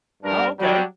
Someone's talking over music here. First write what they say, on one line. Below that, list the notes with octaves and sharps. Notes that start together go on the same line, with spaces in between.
Oh, okay.
G2 D4 A#4
F#3 G3 D4